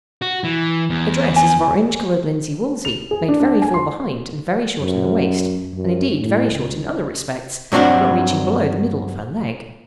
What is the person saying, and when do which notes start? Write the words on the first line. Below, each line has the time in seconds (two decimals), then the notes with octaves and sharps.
Her dress is of orange-colored linsey-woolsey, made very full behind and very short in the waist--and indeed very short in other respects, not reaching below the middle of her leg.
0.22 F#4
0.44 E3
0.90 E2
1.36 G#5
2.85 F7
3.11 G#4
3.28 D4
3.40 D4
3.62 G#5
3.74 C6
4.81 F#2
5.75 F#2
6.20 A2
6.51 C#2
7.72 G2 F#3 C4 D4 F#4